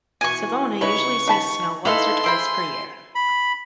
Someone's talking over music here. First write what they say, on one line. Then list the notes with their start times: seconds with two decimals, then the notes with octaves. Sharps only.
Savona usually sees snow once or twice per year.
0.21 B2 E3 G#5 C#6
0.81 C#3 D#4 E4 B4 C#5 C#6
1.28 D#3 A5 B5
1.85 D#4 E4 A4 B4 F5 C6
2.24 E4 G#4 C5 B5
3.15 B5